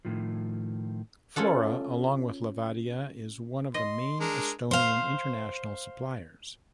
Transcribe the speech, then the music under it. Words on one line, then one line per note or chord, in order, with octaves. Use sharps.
Flora, along with Levadia, is one of the main Estonian international suppliers.
A2 D#3 F3
C#4 F4 A4 F#5
D#5 C6
G#3 D4 A#4
C5 F5